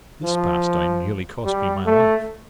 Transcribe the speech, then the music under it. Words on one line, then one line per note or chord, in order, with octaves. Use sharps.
This pastime nearly cost me my life.
F3
G3
A3